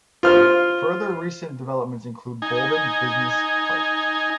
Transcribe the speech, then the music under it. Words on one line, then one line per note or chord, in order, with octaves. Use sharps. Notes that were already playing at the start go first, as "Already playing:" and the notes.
Further recent developments include Boldon Business Park.
F4 C5 F6
D#4 G#5